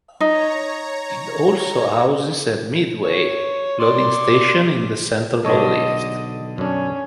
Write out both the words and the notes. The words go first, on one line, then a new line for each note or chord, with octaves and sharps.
It also houses a "midway" loading station in the center of the lift.
D#4 C#5 A#5
C#5
D5 C6 D6
B1 D3 A4 C#5 D#5
F#2 C#4 D4